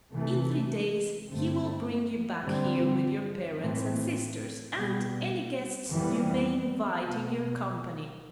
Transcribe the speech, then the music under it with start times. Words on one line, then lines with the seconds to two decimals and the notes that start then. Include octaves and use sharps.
In three days he will bring you back here, with your parents and sisters, and any guests you may invite, in your company.
0.13 C3 E3 A3
1.28 G2 D3 A3 C4
2.43 G2 D3 G3 C4
3.59 A2 E3 A3 C4
4.74 B2 G3 B3
5.90 F2 E3 G3 B3
7.05 B2 B3